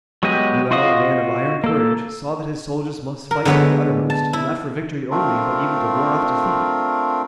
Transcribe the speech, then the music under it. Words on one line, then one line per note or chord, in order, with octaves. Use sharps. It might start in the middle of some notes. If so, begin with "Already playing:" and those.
Buell, a man of iron courage, saw that his soldiers must fight to the uttermost, not for victory only, but even to ward off defeat.
F#3 G#3 B3 G4 D#5
F4 F#4 D#5 F5 D#6
A#3 A4
A#4
D3 G#3 B3 B4 C#5
A5
E4
A3 C4 D4 F4 A#4